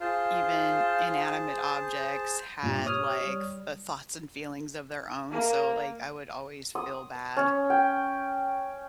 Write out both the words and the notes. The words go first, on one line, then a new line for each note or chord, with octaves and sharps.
even inanimate objects had, like, f uh, thoughts and feelings of their own, so, like, I would always feel bad,
F4 G#4 C5 A5
G2 A#2 G4
C#5 D#6 F6
G3
A#3 A#4
D#6
C#4
G5